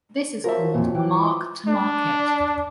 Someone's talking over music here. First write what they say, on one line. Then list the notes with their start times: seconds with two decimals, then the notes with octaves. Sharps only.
This is called "mark to market".
0.44 F3 F#3 F#4 A#4 E5
0.74 F2 A#2
0.95 E3 G5 D6
1.20 E4
1.68 D4